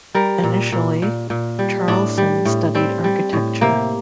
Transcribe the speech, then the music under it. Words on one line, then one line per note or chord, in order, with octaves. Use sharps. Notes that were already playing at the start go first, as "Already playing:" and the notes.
Initially Charleson studied architecture.
G3 A#4
A#2
A#2
A#2
A#2
G3
A2 D4
G3
A2
G3 C4
G3
A2
C3 A#3